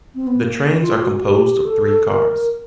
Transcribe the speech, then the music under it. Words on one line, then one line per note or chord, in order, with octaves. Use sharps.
The trains are composed of three cars.
C4
B3
A#3
F4
F4
F#4
G4
A4
A#4